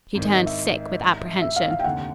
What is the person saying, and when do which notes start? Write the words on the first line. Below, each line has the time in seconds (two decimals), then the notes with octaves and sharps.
She turned sick with apprehension.
0.15 G#1 G#2 D#3
0.25 D#5
0.35 D#5
0.46 E5
1.42 E5
1.56 F5
1.71 F5
1.79 G5
1.84 F1 D#2 D3 F#5